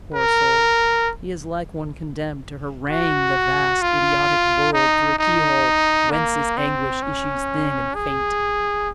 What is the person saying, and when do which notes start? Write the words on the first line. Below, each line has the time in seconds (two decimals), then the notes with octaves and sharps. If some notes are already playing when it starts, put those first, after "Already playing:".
Poor soul, he is like one condemned to harangue the vast, idiotic world through a keyhole, whence his anguish issues thin and faint.
0.14 A#4
2.90 F#4
3.82 F4
4.73 D#4
5.19 D#4
6.11 A#3
6.57 C4
7.03 C#4
7.95 G#4